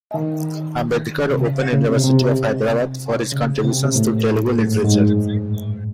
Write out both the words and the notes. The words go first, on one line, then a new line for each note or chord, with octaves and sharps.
Ambedkar Open University of Hyderabad, for his contributions to Telugu literature.
D#3
C3
C#3
C#3
C3
C3
C#3
C3
C3
A2
A2
G#2
F#2
G#2